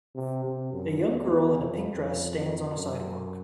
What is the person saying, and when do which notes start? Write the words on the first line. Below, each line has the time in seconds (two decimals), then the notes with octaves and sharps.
A young girl in a pink dress stands on a sidewalk.
0.15 C3
0.44 C3
0.73 F#2
1.02 E2
1.31 E2
1.60 F2
1.89 F2
2.77 F#2